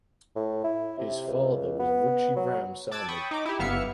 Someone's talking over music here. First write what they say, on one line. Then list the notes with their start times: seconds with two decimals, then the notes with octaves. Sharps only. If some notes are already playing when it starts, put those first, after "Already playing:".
His father was Ruchi Ram Sahni.
0.35 A2
0.64 E4
0.98 C3
1.27 C#2
1.79 B3
2.36 F#3
2.91 A5 D6 E6 F#6 G#6 A6
3.08 G5 B5 C#6 D#6
3.31 D#4 D6
3.45 E4 G4
3.59 G1 B3 E5 F5 F6 C#7